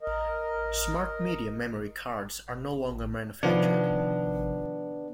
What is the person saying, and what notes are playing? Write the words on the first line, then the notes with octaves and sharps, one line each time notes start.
SmartMedia memory cards are no longer manufactured.
A#4 D#5
C3 D#3 F3 B3 D4